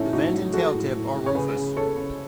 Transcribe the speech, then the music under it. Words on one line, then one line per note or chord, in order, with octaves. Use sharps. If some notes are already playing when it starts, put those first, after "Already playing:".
The vent and tail-tip are rufous.
Already playing: A2 A3 C#4 D#4 E4
A2 D#4 F#4
F#3
G#3 F#4 A4
A2
A2
A2
C#5
C#3 G#4 B4
C#3
C#3 A4 C#5
C#3